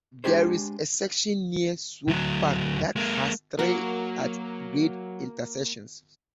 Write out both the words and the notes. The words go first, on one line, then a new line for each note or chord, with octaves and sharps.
There is a section near Swope Park that has three at-grade intersections.
G#3 D4 G4 G#4 C5
D2 F#3
G#3 A#3
F#3 A#3 F#4 A#4